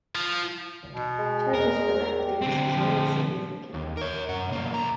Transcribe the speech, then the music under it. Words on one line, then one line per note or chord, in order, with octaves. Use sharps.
Charges for lap dances vary significantly.
F3
B2
G#3
E2 A#4
G4
D3 C4
F3
D#2
A#4 C#5
F#2 F#5
B1 A#3
B1 A#5